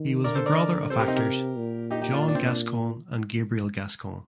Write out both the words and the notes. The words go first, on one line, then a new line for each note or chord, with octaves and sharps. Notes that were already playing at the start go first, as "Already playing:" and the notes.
He was the brother of actors Jean Gascon and Gabriel Gascon.
Already playing: D#3
D3 A#4 D5
A4 C5
A#4 D5
D#5
A#4 D5
C3 A4 C5
G4 A#4
C4 D#4
G4 A#4
A#2
D#4 G4
D#4 G4
D4 F4
D4
C4
D4